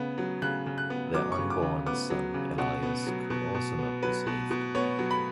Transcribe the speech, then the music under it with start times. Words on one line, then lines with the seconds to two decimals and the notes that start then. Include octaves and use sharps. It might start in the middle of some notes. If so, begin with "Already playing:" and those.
Their unborn son Elias could also not be saved.
Already playing: C#3 B3
0.18 F#3
0.42 C#3 F#6
0.66 C#3
0.78 F#6
0.90 B3
1.14 F#3 D6
1.32 C#6
1.38 C#3
1.50 D6
1.62 C#3
1.86 B3 D6
2.10 F#3
2.34 C#3
2.58 B2 F#5
2.83 B3
3.07 F#3
3.30 B2
3.54 B2
3.79 B3
4.02 F#3 B4
4.27 B2
4.51 B2
4.75 B3 C#5
4.99 F#3
5.11 B5